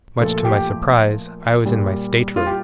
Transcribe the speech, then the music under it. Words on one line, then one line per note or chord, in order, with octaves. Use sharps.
Much to my surprise, I was in my stateroom.
A#2 F3 A3 A4
G4
A#2 G3
F4
G4